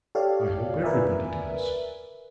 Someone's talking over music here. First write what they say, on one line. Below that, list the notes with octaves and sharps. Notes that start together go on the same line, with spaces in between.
'I hope everybody does.'
G4 A4 C#5 D5 F5
A#4 B4 D5 E5 G#5